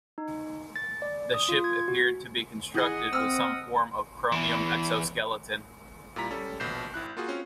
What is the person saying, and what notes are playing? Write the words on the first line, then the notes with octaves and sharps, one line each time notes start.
The ship appeared to be constructed with some form of chromium exoskeleton.
D#4
A6
D5
D#6
F4
G#6
F#4
E3 G#4 D#5 F#5 D#6
C4 E6 F6
E2 E3
A#2 G3 E4 A#5 B6
G3 C#4 A4
A#1 B2 B4 G6 C7 E7
G#1 E4 F#6
A#3 F4 F#4 G#4
C4 C#4 F4 F5